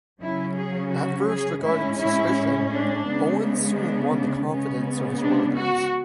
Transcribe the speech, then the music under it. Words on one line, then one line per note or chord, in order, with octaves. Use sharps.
At first regarded with suspicion, Owen soon won the confidence of his workers.
C#3 F#3 C#4 E4
G#4
F#4
G#4
A2 G#3 C#4 E4
E4
D4
C#3 G#3 B3
D4
D4
C#3 G#3 B3 C#4
D4
F#4